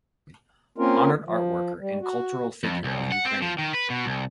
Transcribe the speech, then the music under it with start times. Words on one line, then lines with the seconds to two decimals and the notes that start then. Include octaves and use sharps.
Honored Art Worker and Cultural Figure of Ukraine.
0.78 A#3 C4 C#4 F4 A#4
1.25 F3
1.80 G3
2.01 F#4
2.64 F2
2.84 C2
3.12 F#5
3.25 C4
3.42 F3
3.59 D#3
3.74 B4
3.90 B2
4.06 C2